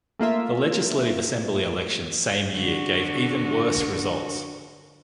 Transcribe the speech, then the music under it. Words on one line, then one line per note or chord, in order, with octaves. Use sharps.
The legislative assembly elections same year gave even worse results.
A3 A#3 F4 E5
D3 F#4